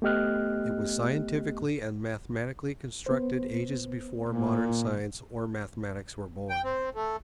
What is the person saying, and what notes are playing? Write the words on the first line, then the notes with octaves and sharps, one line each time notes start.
It was scientifically and mathematically constructed ages before modern science or mathematics were born.
A3 B3 G4 D#5 F6 F#6
B3 B4 C5
A#2
G5
C4
A3